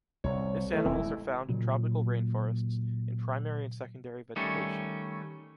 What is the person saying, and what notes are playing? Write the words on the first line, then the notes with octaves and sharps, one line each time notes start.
This animals are found in tropical rainforests, in primary and secondary vegetation.
C2 C#5
E3 A3
D#1 E3 C4 E4
G#3
A#2 C#3 F#3 A#3
D#3 G3 A3 C#4